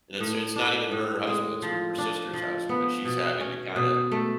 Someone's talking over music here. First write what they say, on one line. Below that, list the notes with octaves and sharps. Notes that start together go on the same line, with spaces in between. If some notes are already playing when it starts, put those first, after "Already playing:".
and it's it's not even her husband, it's her her sister's husband, but she's having to kinda
A2
D4
A2
G#3
F3
D4
F3
B3
B2
C#4
B2
A3